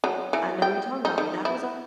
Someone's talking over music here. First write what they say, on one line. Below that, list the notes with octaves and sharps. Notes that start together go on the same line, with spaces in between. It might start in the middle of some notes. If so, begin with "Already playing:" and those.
I know what you're talking about, that was
F#3
E3
G5
D#4
D#3
E4